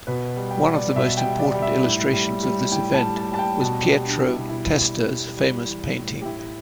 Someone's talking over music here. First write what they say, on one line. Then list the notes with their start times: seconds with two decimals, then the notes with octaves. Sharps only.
One of the most important illustrations of this event was Pietro Testa's famous painting.
0.07 B2 B4
0.37 G3
0.51 G5
0.65 G3
0.74 D5
0.96 B2 E5
1.17 G5
1.26 G3
1.40 D5
1.54 G3
1.62 E5
1.84 A2
2.13 G3
2.43 G3
2.72 A2 G5
2.94 A5
3.02 G3
3.17 A5
3.32 G3 A5
3.39 G5
3.61 B2 A5
3.82 G4
3.90 G3
4.05 D4
4.20 G3
4.27 E4
4.49 B2 E4
4.79 G3
5.07 G3
5.37 G3
5.67 E3
5.96 A2
6.22 G4
6.25 A2 E4